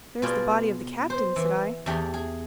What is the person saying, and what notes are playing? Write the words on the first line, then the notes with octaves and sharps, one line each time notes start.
"There is the body of the captain," said I.
B2 F4 G#4 D5 G5
C5
E3
E2 A3 G4 G#4
G#4